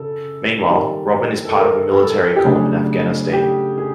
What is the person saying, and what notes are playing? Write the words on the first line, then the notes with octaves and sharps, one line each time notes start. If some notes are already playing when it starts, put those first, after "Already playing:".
Meanwhile, Robin is part of a military column in Afghanistan.
Already playing: C#3 A4
D#3 G3 A#3
A4
A#4
A4
G4
C#3 F#3 A3 D4 G#4
G4
G#4